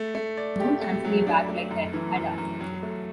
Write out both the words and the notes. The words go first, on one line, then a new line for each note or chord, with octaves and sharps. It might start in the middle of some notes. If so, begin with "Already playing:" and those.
Don’t answer me back like that, Ada.
Already playing: A3
A3
D5
G4
A3
F#3
D4
A3
F#2
E3
F#2
F#2
F#3
A3